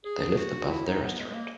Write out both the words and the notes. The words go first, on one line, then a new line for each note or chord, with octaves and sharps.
They lived above their restaurant.
G#4
F#4
F#4
E4
D#4
B3
G#3
G#3
A#3